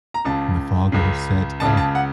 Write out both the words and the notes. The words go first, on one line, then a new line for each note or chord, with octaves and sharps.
And the fog will have set, ugh.
A#5
C#2 C#3 A5
C#2 C#3
C#2 C#3 A5
A5
F#5